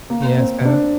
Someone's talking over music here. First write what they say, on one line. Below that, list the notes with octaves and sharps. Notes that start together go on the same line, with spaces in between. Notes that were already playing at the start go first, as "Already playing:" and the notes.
Yeah, so
A#3
C4
D4